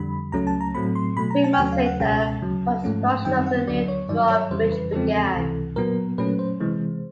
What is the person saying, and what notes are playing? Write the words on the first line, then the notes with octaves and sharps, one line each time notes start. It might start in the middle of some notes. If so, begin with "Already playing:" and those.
Three months later, construction of the new drawbridge began.
Already playing: F2 D3 G3 B5
C#2 C#3 F#3 A3 C#4 A#5
A5
A#5
A2 F#3 A3 C4 B5
C6
B2 F#3 A3 B5
A#5
A5
G5
D#2 C#3 F#3 A3 C#4 G#5
F5
F#5
C#2 B2 G#3 C#4 G5
A5
D2 C#3 F#3
G#2 F3 A3 C#4
F#2 D#3 G3 C4 G5
F#5
D2 D3 F#3 D5
C#5
G2 D#3 F#3 D5
D5
C#5
F2 C#3 E3 G3 C5
B4
E2 C#3 F3 G#3 C4 A4
C#2 C3 E3
A#2 F#3 B3 A#4
A#2 F#3 A3 C#4 B4
C5
C3 E3 G#3